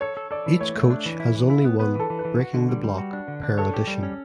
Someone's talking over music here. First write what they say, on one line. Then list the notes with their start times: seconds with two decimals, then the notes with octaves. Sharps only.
Each coach has only one "Breaking The Block" per audition.
0.01 A4 C#5
0.17 A4
0.31 A4 D5
0.46 E3
0.60 A3 C#5
0.75 A3
0.90 D4
1.06 E3
1.20 E4
1.35 E3
1.50 E4
1.65 B3
1.79 B3 B4
1.95 E3 A4
2.10 E3
2.19 B4
2.25 E3
2.39 F#4
2.54 D3
2.69 G3
2.84 G3
2.98 F#4
3.13 D4
3.28 D3
3.43 D4
3.58 A4 C#5
3.74 G4
3.87 G3
4.03 C#4